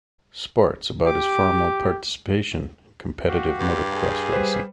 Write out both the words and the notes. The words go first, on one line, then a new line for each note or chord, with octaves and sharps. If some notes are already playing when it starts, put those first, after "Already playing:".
Sports, about his formal participation in competitive motorcross racing.
G4 D6
F#4 G4 F5
G2
G#4
G3 B4 C5